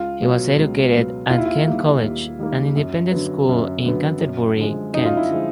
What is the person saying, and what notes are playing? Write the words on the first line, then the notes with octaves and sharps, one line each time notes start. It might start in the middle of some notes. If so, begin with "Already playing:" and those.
He was educated at Kent College, an independent school in Canterbury, Kent.
Already playing: C#2 F4
B2 F#3 B3
C#2
B2 F#3 B3
D#2 F4
E4
F4
D#3 G3 A#3
D#2
D#3 G3 A#3
F#2
D3 F#3 B3
F#2
D3 F#3 B3
F#2
D3 F3 G#3
F#2 D#4
F4
E4
D3 F3 G#3